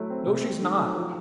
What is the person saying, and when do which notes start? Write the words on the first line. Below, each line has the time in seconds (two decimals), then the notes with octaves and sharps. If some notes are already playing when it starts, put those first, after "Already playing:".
"No, she's not."
Already playing: F#3 A3 E4
0.10 C4
0.27 C3
0.44 A3
0.62 D#3
0.79 F#3
0.97 F3